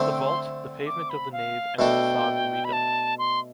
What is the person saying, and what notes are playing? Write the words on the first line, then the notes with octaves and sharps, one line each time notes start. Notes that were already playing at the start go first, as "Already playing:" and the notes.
The vault, the pavement of the nave and the facade were redone.
Already playing: D3 A3 C4
G5
C6
D6
B5
F5
B2 A3 D4 A4 G5
B5
A5
C6